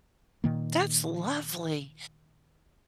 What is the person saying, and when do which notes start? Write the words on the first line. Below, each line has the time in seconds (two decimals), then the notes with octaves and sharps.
That's lovely.
0.44 A#2 D#3 A#3